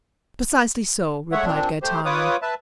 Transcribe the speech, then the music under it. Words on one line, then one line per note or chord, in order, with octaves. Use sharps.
"Precisely so," replied Gaetano.
G#3 A3 C#5 E5 F#5
A#2 C4 D4
A3 G4 C5
F4 B4 C#5 D6 D#6
B4 E5 A5